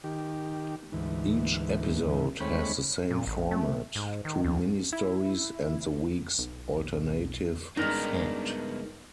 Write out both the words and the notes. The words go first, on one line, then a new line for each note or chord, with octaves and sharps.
Each episode has the same format, two mini-stories and the week's alternative fact.
D#3 G4
D2 G#2 E3
D#2 G#3 A3 C4 C#5 B5
A#2
A1
A3
G#2
D#3
D#2
E4
B1
G2 C#3 G#3 B3 D4 D#4 A#4